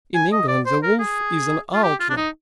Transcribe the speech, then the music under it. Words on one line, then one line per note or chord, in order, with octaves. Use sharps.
In England the wolf is an outlaw.
G#5
D#5
D5
C5
A#4
G#4
F4
G4
F4
D4
D#4